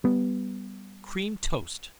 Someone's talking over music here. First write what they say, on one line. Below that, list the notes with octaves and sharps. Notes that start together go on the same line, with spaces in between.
Cream Toast.
G3 B3